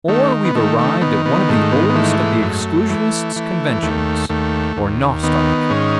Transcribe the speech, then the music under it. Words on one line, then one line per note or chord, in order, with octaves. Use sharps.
Or we've arrived at one of the oldest of the exclusionists' conventions--or nostoc.
D#3 A3
B3
D#3 A3
A3
D#3 B3
B3
G#2 A3
B3
B3
E3 A3
F#2
E3
E3
D#2 A3
D#2 A3
D#2
D#3 B3
G#2 C#4